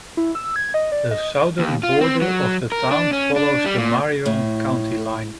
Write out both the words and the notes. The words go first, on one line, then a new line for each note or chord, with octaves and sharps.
The southern border of the town follows the Marion County line.
E4
E6
G#6
D#5
D5
D#5
D#2
F4
C4
F#3
A#4
D4
C#4
D4
G3
A#2
A2